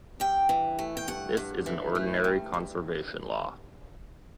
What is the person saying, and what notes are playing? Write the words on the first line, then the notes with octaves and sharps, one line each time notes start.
This is an ordinary conservation law.
G2 G5
E3
A3
G5
G2 F#5
G2
E3
A3
G2
G2